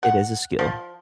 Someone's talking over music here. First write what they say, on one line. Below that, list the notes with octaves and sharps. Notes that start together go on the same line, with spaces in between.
It is a skill.
F#5
F3